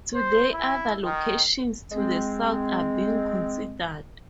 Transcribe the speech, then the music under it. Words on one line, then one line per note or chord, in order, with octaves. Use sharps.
Today other locations to the south are being considered.
C5
E4
D#3
G#3 C4